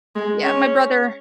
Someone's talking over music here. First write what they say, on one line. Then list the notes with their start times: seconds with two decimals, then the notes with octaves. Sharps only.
Yeah, my brother
0.16 G#3
0.43 C#4